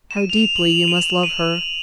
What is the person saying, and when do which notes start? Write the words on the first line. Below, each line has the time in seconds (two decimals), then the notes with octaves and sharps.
How deeply you must love her.
0.11 E7
0.17 D#7
0.30 F7
0.37 E7
0.43 F7
0.56 F#7
0.70 F7
0.88 D#7
0.96 E7
1.23 D#7